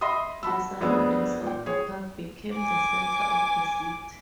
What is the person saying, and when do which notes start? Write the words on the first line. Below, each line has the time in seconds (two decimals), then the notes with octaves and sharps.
The surroundings of the park became the center of the city.
0.01 D#5 E5 B5 C6 D#6
0.43 F#4 A5 B5 E6
0.81 F2 B3 D4 G#4 E6
1.43 A#2 G5
1.66 G#4 C#5
2.57 G#5 D6